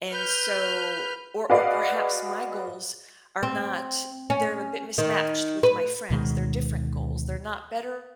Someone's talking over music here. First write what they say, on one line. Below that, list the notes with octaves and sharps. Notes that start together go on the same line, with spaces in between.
And so Or or perhaps my goals are not they're a bit mismatched with my friends. They're different goals, they're not better
B4 F6 G6
F#4 G#4 B4 D5 D#5 F5
C4
C#4
D#3
B4
D2 B2 D#3 G#3